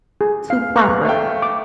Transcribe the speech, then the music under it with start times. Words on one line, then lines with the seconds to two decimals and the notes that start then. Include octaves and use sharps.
too proper
0.21 G#4
0.50 F5 C7
0.76 B4 A#5 C#6 F#6
1.05 A3 F5 G5
1.42 D6